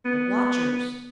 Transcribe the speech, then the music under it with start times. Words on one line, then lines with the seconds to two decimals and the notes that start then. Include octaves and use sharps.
The watchers!
0.05 B3